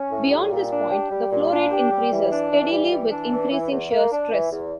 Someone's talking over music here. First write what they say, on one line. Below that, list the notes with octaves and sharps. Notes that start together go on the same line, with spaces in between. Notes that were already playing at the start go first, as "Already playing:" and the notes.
Beyond this point the flow rate increases steadily with increasing shear stress.
Already playing: C#4
A2
G3
A#2
D4
G4
G3
A#2
D4
G4
G3
E3
D4
E3
G3
E3
D4
E3
E3
E2
A#3
D4
E3
E2